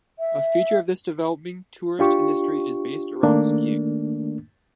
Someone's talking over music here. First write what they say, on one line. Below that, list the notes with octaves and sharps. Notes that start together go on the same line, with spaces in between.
A feature of this developing tourist industry is based around skiing.
E5
D4 F4 G4 C#6
D#3 A3 A#3 D4